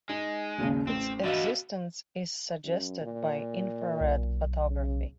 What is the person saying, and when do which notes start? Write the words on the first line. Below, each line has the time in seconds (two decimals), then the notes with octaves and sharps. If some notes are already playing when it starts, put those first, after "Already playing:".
Its existence is suggested by infrared photography.
0.09 G#3 D#4
0.58 G#1 D#2 C#3
0.87 A1 C4
1.24 D3 A3 B3 F#4 D#5 F5
2.65 F#2
3.01 A#2
4.01 B1
4.70 C#3